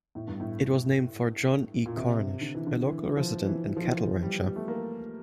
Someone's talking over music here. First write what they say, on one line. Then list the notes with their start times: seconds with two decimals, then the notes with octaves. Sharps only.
It was named for John E. Cornish, a local resident and cattle rancher.
0.15 A2
0.27 G2
0.40 A2
0.60 A2
1.86 A#2
1.97 C3
2.41 D3
2.55 E3
2.67 D3
2.87 E3
3.17 F3
3.46 E3
3.77 F3
3.84 E3
3.92 F3
4.23 G3
4.45 G3
4.56 A3
4.68 A#3